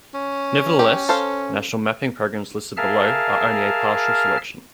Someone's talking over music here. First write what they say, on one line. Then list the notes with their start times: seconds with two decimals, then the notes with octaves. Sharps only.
Nevertheless, national mapping programs listed below are only a partial selection.
0.14 C#4
0.79 C#4 G4
1.09 A4 C5 F5
2.77 G#4 A#4 E5 F5 A5 F6